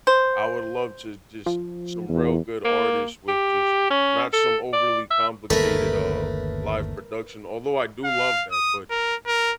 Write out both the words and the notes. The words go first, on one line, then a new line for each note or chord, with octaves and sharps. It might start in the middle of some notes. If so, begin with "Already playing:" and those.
I would love to just Some real good artists with just not some overly complicated, uh, live production, although I do love that, but
C5
F3
E2
A#3
G4
C#4
A4
D5
E5
G1 D#2 C#3 A3 A#4 B4
F5
D#6
A#4
A#4